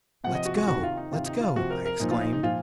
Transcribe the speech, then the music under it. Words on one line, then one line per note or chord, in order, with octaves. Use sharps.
"Let's go, let's go!" I exclaimed.
C3 F3 F#5
D#5
F#4
F#4
C3 D#3 F#4
F4
D#4
C3 D#3 F4
D#4
F4
C3 F3 F#4
A#4
A#4
A#2 F3 D#4
F4
D#4
D#4
A#2 F3 F4